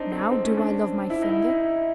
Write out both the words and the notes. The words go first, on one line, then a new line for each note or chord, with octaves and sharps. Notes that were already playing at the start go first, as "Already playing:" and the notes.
Now do I love my finger?
Already playing: C4 D4 D#4
C4
C4
C#4
D4
E4
D#4
E4
D#4